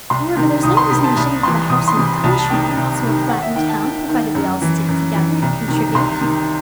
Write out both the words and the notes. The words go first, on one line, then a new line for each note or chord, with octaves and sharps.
However, there's no reason we shouldn't have a house in the country and also a flat in town, provided we all stick together and contribute.
C2 C6
C3 D#3
C2 D#6
C6
C3 D#3 B5
A5
C2 B5
C3 E3 C6
C2 D#6
C6
C3 E3
B5
C2 A5
B5
A5
C3 D#3 G5
C2
C3 D#3
D#2 F#5
E5
D#3 G5
A5
D#2
D#3
F#2
E3
F#2
E3
C2
C3 D#3
C2 C6
C3 D#3